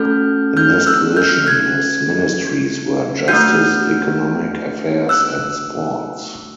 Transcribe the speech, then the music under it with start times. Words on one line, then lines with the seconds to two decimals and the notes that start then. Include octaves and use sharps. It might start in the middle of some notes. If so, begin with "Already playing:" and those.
In this position his Ministries were Justice, Economic Affairs and Sports.
Already playing: A3 C#4 F#4 A4 F6 G6
0.57 F6 G6
0.87 E6 F#6
1.17 F6 G6
1.47 F#6 G#6
3.28 A3 D4 F#4 F6 G6
5.09 E6 F#6